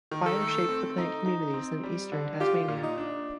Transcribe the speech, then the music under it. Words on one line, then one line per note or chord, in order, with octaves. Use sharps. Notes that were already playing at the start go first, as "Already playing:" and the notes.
Fire shaped the plant communities in eastern Tasmania.
D#3
A4
A3
C4
D#4
D#4
C4
G3
D3
F4 G4
A#2
D#4
D4